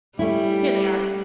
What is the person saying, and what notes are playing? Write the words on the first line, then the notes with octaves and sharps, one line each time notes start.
Here they are!'
G3 A3 C#4 E4